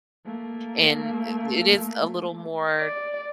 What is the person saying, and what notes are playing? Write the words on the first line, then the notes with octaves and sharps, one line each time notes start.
and it it is a little more
A3 A#3
D5